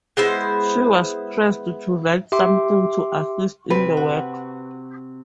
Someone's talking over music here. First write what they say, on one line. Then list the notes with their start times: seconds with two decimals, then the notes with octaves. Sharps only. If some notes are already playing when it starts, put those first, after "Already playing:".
She was pressed to write something to assist in the work.
0.17 G#3 B3 E4 C5
2.32 G4 E5 C6 D6
3.70 C3 C4 B4
3.97 F#4